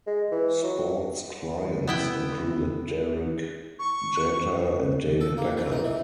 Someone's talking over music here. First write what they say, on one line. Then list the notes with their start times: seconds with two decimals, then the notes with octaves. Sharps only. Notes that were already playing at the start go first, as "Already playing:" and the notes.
Sports clients included Derek Jeter and David Beckham.
0.07 G#3
0.32 E3
0.64 F#3
1.87 B3 E4 G5
3.79 C#6
5.21 A4
5.37 A#3
5.57 E3
5.72 D#4
5.84 E3